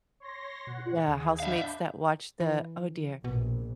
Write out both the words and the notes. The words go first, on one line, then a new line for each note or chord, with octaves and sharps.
yeah, housemates that watched the oh dear,
C#5 C6 A#6
B2 F#5
D#2 G#4
D4 E5 F5 B5 G6
E3
A#1 B2